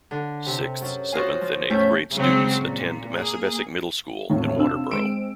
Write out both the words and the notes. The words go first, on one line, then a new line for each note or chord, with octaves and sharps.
Sixth,seventh and eighth grade students attend Massabesic Middle School in Waterboro.
D3
C3
F#2
F4 F#4 C5 D#5 F5 G#5
F3
E2 A2 A3 C#4 E5 G6
C#3 F#3 G#3 C4
A#2
A#3 G#4
G#1 E2 A2 F4
F2 C3 D4 F4 E6
G#3 C4 D7 E7